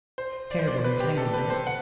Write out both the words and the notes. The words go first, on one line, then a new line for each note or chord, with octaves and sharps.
Terrible entanglement!
C5
D5
C5
D5
B4
G4
A4
B4
C5
F#5